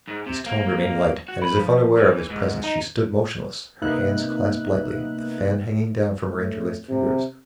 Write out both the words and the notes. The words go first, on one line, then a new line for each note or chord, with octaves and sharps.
His tone remained light, and as if unaware of his presence she stood motionless, her hands clasped lightly, the fan hanging down from her interlaced fingers.
G#2
C3
A#3
F#4
B5
F3
E3
G#2
D#4
C3 A#3 B3 D#4 E5 F#6
A2
C3